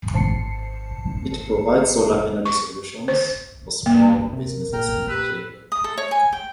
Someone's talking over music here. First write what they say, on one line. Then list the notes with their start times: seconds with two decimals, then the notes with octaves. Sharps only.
It provides solar energy solutions for small businesses in Nigeria.
0.13 G#1 C5 A5 C7 C#7
2.45 C#6
3.08 C5
3.86 A#3
4.33 C3 A#4
4.73 A#2 G5 A#5 F6
5.09 G4 B4 E6
5.72 D#6
5.84 A4
5.98 C#5
6.11 G#5
6.33 G5